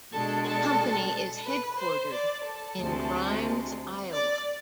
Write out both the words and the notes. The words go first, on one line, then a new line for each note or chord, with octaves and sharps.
The company is headquartered in Grimes, Iowa.
B2 G#3 D4 A4
A4
B4
C5
D5
A4
D2 C3 G#3
D5